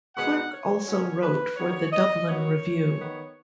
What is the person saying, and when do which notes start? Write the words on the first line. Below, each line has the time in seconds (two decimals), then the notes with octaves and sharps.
Clerke also wrote for the "Dublin Review".
0.15 B2 G#3 B3 F#5
0.51 C#5
0.87 B2 F#3 C#4
1.22 B4
1.56 D#3 F#3 B3 C#5
1.92 D#5
2.28 D#3 F#3 B3 C#5
2.98 D#3 B3